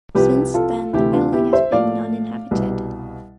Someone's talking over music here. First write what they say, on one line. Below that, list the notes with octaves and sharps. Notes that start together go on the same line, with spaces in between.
Since then the building has been uninhabited.
C2 C3 F3 G4 B4
F4 A4
D2 C3 E3 A3 E4 G4
D4 F4
E4 G4
C5 E5
A2 F3 A3 D5 F5
C2 B2 G3